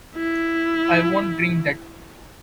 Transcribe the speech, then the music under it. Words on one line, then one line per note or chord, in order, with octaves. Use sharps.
I won’t drink that.
E4